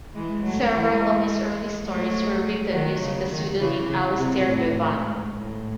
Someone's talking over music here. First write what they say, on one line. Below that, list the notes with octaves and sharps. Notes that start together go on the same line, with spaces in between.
Several of his early stories were written using the pseudonym Alistair Bevan.
E3 G#3
F#3 A3
E3 G#3
F#3 A3
D#3 F#3
C#3
D#3
C#3 E3
C#3
C3
A2
G#2
A2